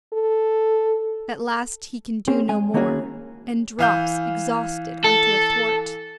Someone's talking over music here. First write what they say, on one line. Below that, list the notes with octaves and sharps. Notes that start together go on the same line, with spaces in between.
At last he can do no more, and drops exhausted on to a thwart.
A4
C4 C#4 G#4
G#3 G#5
D#3 A#3 C#4 E4 F#4 G#4
E3 F5 G6
A4